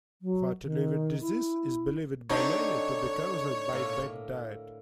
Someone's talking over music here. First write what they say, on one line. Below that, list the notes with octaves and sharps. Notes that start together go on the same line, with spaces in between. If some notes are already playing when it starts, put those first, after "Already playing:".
Fatty liver disease is believed by many to be caused by bad diet.
F#3
D#3
E4
D3 G3 C4 D4 D#4 C#5
A2 A#3